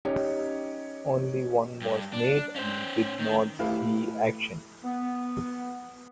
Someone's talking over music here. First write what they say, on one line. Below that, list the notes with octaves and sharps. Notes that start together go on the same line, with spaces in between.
Only one was made and it did not see action.
C#4 D#4 G4 C#5
G2
D4
C#4 C5
D#3
A2 E4 G4 A4 B4 F5
B3